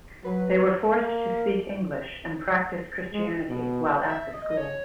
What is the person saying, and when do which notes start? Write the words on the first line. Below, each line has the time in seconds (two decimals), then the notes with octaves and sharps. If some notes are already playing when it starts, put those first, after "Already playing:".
They were forced to speak English and practice Christianity while at the school.
0.24 F#3 B4
0.96 A#3
3.13 G#3
3.49 B2
4.09 E5
4.34 D#5
4.50 D#5
4.57 C#5